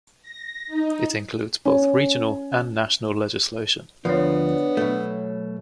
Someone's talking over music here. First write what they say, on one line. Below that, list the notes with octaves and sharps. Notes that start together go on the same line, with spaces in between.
It includes both regional and national legislation.
A#6
D#4
C#4
D2 F3 B3 D4 A#4 C#5
B2 F#3 A3